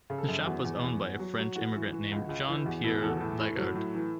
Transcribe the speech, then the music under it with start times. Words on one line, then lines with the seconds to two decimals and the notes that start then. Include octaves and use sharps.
The shop was owned by a French immigrant named Jean-Pierre Lagarde.
0.10 C#3
0.18 A4
0.29 F#2
0.46 E2 F#4
0.64 E2
0.83 E2
1.01 E2
1.19 F#3
1.38 F#3
1.56 E3 F#4
1.75 E3
1.92 E3
2.11 C#2
2.29 C#2
2.48 E3
2.66 E2 F#4
2.84 B2 E4
3.02 E2 A4
3.10 F#4
3.17 A2 A4
3.39 A2
3.57 F#3
3.75 A2
3.95 E3